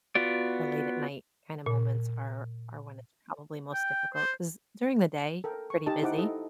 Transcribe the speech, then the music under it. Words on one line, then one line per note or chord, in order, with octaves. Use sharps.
the late at night kinda moments are are when it's probably most difficult, 'cause during the day, you're pretty busy,
B3 F4 F#4 D5
A#2
G5
C5
A4 A#4 G5
C#6
D#4 G4 D#5 A5
D#4 E4 C5 F#5 D6
E4 A4 D#5